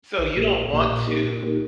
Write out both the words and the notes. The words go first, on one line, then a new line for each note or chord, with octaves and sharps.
so, you don't want to,
A#1
A#2 A#3 G4 A#4
A#1
A#2 A#3 G4 A#4
A#2
A#3 D#4 G4 A#4
A#2
A#3 D#4 G4 A#4